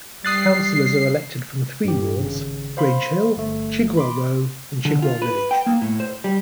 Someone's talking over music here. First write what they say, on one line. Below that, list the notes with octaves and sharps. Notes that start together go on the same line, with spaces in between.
Councillors are elected from three wards: Grange Hill, Chigwell Row and Chigwell Village.
G3 D#6 F#6 A6 C7
G2 G4
G#1 C#3
C5 F5 B5 C6
G1 A3
B5 C6 D6
D3
F4
B4
G5
A#3
A2
C5
G3